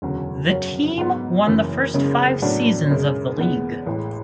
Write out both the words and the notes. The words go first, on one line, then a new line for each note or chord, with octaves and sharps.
The team won the first five seasons of the league.
E1 D2 C#3 F#3
F#2 C#3 F#3 C#4
G#2 F#3 B3
F#1 F#2 E3
F#1 F#2 C#3 G#3
A2 F#3 B3 D4
F#2 C#3 G#3
E2 B2 G#3 B3
A1 A2 G#3